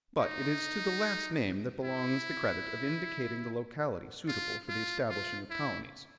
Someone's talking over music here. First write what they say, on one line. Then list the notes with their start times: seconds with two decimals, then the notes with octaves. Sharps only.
But it is to the last named that belongs the credit of indicating the locality suitable for the establishing of colonies.
0.20 D#4
1.84 E4
4.28 F4
4.69 F4
5.10 F4
5.50 E4